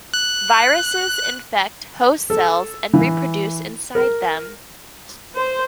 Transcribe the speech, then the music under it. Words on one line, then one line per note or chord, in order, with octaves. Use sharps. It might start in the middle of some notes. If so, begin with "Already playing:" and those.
Viruses infect host cells and reproduce inside them.
F#6
A4
E3
A#4
C5